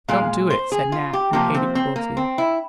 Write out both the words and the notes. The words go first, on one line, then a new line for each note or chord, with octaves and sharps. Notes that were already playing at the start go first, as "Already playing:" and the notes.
"Don't do it," said Nat, who hated cruelty.
A#2 G#3 F5
C5
G#4
F4
G4
C3 F3 A#3 G4
C4
C4
A#3
C4
E4